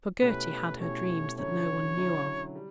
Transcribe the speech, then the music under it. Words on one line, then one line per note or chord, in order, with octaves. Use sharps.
For Gerty had her dreams that no-one knew of.
B2 A3 C#4 E4 G4 B4
B2 A3 C#4 E4 G4 C#5
D3 F#3 C#4 E4 C#5
D3 F#3 C#4 E4
G3